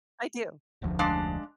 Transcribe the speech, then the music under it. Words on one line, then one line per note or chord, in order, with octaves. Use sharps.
I do.
F1 D2 F3
G#3 D4 F5